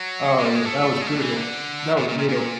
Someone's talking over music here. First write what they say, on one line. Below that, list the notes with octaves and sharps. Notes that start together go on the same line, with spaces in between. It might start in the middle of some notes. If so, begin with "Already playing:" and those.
Oh, yeah, that was brutal. That was brutal.
Already playing: F#3
G#3
G3
G#3
A3
G#3
A3
D#3
E3
D3
A#2
A#2
A#2
A#2